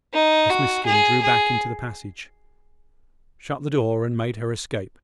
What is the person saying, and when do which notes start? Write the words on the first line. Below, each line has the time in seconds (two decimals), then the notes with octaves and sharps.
Miss Miskin drew back into the passage, shut the door, and made her escape.
0.14 D#4
0.50 F#4
0.86 G#4
1.23 G#4